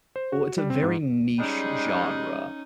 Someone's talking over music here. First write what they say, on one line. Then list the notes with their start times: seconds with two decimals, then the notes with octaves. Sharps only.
Oh, it's a very niche genre,
0.16 C5
0.33 F#4
0.58 G3
0.70 C4
0.83 G#2
1.39 G3 G#3 C#4 D#4